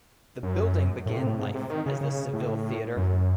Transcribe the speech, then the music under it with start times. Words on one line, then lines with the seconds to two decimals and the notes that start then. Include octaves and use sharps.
The building began life as the Seville Theater.
0.43 F#2
1.06 A2
1.17 C3
1.27 A2
1.39 G#2
1.55 C3
1.70 D#3
1.86 C#3
2.01 C#3
2.33 A2
2.97 F#2